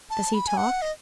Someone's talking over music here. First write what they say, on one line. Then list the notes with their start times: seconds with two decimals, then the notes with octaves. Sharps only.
"Does he talk?"
0.10 A5
0.34 B5
0.47 G#5
0.57 F#5
0.82 D#5